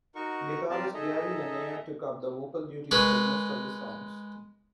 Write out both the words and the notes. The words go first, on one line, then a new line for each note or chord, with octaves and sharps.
Guitarist Gary Lenaire took up the vocal duties for most of the songs.
D#4 F#4 A#4 C#6
C4 F4 G4 A#4 D5 A5
D#4 G#4 A4 D#5 E5 A#5
G#3 A#4 B4 C#6